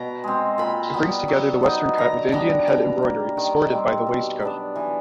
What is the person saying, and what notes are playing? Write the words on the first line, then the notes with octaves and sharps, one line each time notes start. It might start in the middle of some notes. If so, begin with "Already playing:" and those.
It brings together the western cut with Indian hand-embroidery escorted by the Waist coat.
Already playing: B2 A#5
G#3 C4
A#2 B5
G3 B3
F#3
B3 D#4
D3 A#5
G3 B3 D4 A#5
B2 A#5
G3 A#3
D#3
G3 C4
B2
F#3 B3 D4
E3